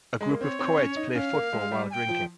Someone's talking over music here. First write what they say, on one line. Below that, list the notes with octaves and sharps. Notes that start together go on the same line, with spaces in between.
A group of coeds play football while drinking.
G#3
A#3
C4 C#5
C4
C#4
D#4
C#4 F5
A#3
G#3
G3
G#5
G5
F3